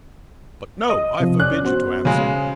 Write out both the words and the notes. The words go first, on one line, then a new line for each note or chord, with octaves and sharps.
But no. I forbid you to answer.
D#5 D#6
C3 F3
C#4 D5 F#6
B3 F#4 C5
C#3 G#3